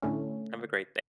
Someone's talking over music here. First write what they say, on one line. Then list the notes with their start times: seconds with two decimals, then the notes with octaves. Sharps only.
Have a great da
0.02 A2 D3 A3 C#4